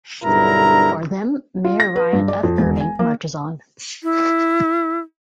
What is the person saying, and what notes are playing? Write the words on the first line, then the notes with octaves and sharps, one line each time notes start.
For them, Mayor Ryan F. Irving marches on.
B1 G2 D3 E4 A#4 A#5
F4
A#6
B4
G2
D5
F2
E1
G#5
A#3
E4